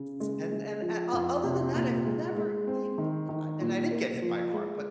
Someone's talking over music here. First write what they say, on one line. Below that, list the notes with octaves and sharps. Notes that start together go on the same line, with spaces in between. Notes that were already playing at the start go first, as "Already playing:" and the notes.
S and and a o other than that, I've never ev uh I and I didn't get hit by a car, but,
Already playing: C#3
G#3
G#3
F3
F2
C3
A#2
G#3
G#3
C4
D#3
D#3
A#2
A#3
F3
G#3